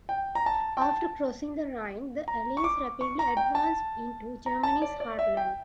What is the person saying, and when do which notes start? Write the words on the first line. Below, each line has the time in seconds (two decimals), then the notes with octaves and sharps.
After crossing the Rhine, the Allies rapidly advanced into Germany's heartland.
0.09 G5
0.35 A#5
0.46 A5
0.77 G5
0.82 A5
2.28 A#5
2.57 C#6
2.64 D6
3.01 C#6
3.19 A#5
3.37 G5
3.55 A5
4.46 A#5
4.63 A5
4.82 D5
5.00 D5
5.19 E5
5.37 G5